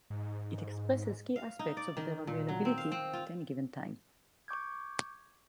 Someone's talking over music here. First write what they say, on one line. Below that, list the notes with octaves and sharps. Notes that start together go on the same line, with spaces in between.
It expresses key aspects of their availability at any given time.
G#2
F5
D#4
D5
D#3
A#2
F#3
C4
F5
C4
F4
C#6 D6 G6 G#6